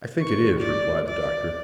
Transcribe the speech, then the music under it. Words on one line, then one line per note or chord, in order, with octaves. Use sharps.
"I think it is," replied the Doctor.
C#6
D5
D5